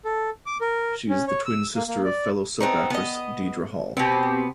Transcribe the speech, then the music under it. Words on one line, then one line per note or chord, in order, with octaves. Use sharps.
She is the twin sister of fellow soap actress, Deidre Hall.
A4
D6
A#4
C#4
C#5
E6
A#3
A#3
D5
B3 C4 D#4
B3 D#5
B2 B3 C4 G4